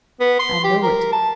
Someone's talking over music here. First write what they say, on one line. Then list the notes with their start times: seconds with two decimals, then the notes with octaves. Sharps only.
I know it.
0.20 B3
0.39 C6
0.63 G4
0.82 A#4
1.12 A5